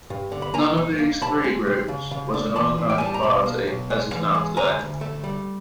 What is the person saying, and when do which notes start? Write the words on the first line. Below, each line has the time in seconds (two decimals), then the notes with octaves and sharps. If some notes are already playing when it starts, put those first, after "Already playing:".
None of these three groups was an organized party as is known today.
0.10 G2
0.32 D3
0.42 B5
0.54 A#3 G#5 A#5
0.77 D#4
0.99 A#3
1.21 C3 A5 B5
1.44 G#3
1.67 C3
1.88 C#3
2.11 C#3
2.34 D4
2.56 E3 A5 B5
2.78 A2
2.89 G5
2.98 G3 G#5
3.06 A5
3.14 A#5
3.23 B2 A5 B5
3.46 A#3
3.67 B1
3.90 G#3
4.13 E3
4.34 G#3
4.56 D2 G#5 A#5
4.79 D2
5.01 A3
5.24 G3